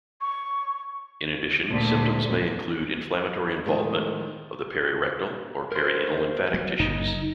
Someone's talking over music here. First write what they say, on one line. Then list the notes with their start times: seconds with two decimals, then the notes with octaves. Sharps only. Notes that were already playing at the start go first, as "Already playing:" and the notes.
In addition, symptoms may include inflammatory involvement of the perirectal or perianal lymphatic tissues.
0.21 C#6
1.70 D2 A#2
3.66 A2 D#3 F3 G#3
5.72 A#4 C5
6.54 F#3
6.80 F#1 F#2 D#4